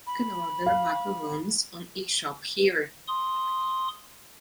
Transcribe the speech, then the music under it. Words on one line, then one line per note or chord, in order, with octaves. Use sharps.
You can order macaroones on e-shop HERE!
B5
F5
C6 D#6